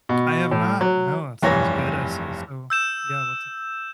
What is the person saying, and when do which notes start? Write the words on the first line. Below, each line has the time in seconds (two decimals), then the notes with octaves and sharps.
I have not, no, it sounds good, I say so, yeah, what's u
0.09 B2
0.51 A2
0.81 F#3
1.42 F1 G2 E3 C#5 A#6
2.70 E6 G6 E7